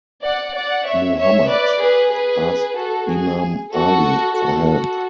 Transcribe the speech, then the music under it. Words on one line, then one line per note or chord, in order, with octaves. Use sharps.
Muhammad asked Imam Ali for help.
D5 F#5
D5 F#5
C#5 E5
C#5 E5
B4 D5
G#4 B4
G#4 B4
F#4 A4
G#4
F#4 A4
F#4 A4
F#4 A4